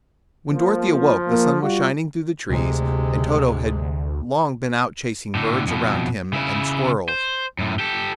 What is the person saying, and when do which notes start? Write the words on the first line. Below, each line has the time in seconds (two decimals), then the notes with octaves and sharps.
When Dorothy awoke the sun was shining through the trees and Toto had long been out chasing birds around him and squirrels.
0.49 F3 A#3
1.29 A#3
1.61 G3 F4 F#4
2.49 D2 C3 G#3
5.35 A2 D3
5.67 F2 B2
6.33 C#3 E4
7.09 C5
7.59 F#2 A2
7.79 G4 A4